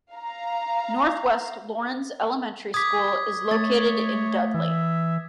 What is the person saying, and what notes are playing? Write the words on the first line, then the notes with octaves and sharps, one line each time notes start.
Northwest Laurens Elementary School is located in Dudley.
F5 A#5
D6 D#6 G#6 B6
A3 C#5 A6
E3 E5